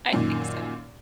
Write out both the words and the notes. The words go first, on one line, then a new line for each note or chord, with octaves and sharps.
I think so.
F#2 A#2 D#3